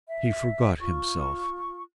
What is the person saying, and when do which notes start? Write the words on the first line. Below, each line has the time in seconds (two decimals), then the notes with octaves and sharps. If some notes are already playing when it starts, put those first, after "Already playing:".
He forgot himself.
0.07 E5
0.80 F4 C#6